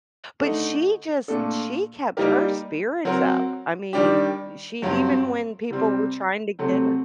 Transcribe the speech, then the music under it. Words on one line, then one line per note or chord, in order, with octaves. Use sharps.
But she just she kept her spirits up. I mean, she even when people were trying to get her
D3 A3 D#4
A#2 A3 D4 A4
G3 A#3 D#4 G4 A#4
F#3 C4 F#4 A#4
D#3 G3 D4 G4
G2 F#3 C4
C3 G3 C4
C3 F#3 A3 C4